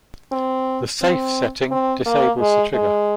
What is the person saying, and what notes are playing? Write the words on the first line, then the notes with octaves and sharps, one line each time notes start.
The "safe" setting disables the trigger.
C4
C4
C4
A#3
G#3
G#3